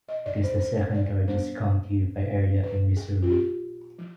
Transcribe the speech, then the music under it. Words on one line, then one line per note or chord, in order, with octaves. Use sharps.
It is the second-largest county by area in Missouri.
D#5
D5
C5
C5
D5
G3 B3 D4 C5
B4
G#4
F4
G4
F3